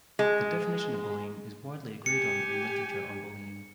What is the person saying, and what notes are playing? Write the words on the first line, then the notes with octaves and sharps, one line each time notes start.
The definition of bullying is widely agreed on in literature on bullying.
G#3
G4 G#5 C#7